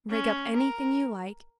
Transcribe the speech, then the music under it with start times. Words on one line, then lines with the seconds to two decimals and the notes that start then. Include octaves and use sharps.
Rig up anything you like....
0.11 C#4
0.57 A#4